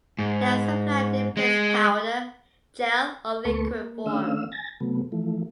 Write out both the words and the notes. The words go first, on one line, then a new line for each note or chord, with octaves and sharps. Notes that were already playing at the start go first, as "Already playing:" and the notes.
They are supplied in paste, powder, gel or liquid form.
G#2
G#3
D2 A3 A#3 A4 B4 C#6
A#3
D#3 A3 C#4 D4 F5 E6
G#5 A6 A#6
C3 F#3 A3 B3
E3 F3 A3